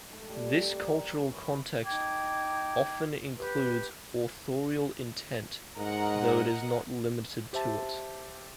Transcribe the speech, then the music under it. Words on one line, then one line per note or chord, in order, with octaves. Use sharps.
This cultural context often includes authorial intent, though it is not limited to it.
G#2 A3 A5
G3
C4 A#4 C5 D5
C#5
E3 E4 B4 C#6
D#4 G5 D6 G#6
G4 B4
G#2 A#4 D#5 F#5
G4 C5 E5 A5